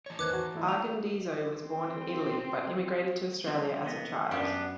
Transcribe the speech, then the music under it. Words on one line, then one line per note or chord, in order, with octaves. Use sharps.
Argondizzo was born in Italy, but immigrated to Australia as a child.
E3 C#5
E2 D#3 B4 C5 D6 F#6 G#6
F#4 A5 A#5
A3 D#4 E4
F5 F7
C4
F3 G3 C4
A#3 B3 D#5
F#2 B3 D4 F#4 G4